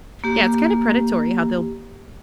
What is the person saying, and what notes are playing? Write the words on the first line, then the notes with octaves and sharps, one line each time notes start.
Yeah, it's kinda predatory how they'll
A#3 G4